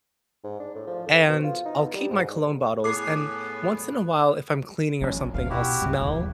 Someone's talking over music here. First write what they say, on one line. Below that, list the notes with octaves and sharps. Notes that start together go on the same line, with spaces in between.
and I'll keep my cologne bottles, and once in a while, if I'm cleaning or something, I'll smell
G#2
D4
A2
F3
F2
B2
F4
D#4
B3
G3
G#2
A2 B3 G#4 C#5 G#5 D6 C7
A#1 D#3 C#4
D#1 G#1 D2 F5
B2 E4 F#4 G4
C#2 G2
E1 A#1 D#2 C#3